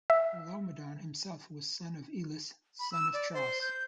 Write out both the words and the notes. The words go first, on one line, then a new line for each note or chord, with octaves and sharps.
Laomedon himself was son of Ilus, son of Tros.
E5
B5
E6
D5
C5
G6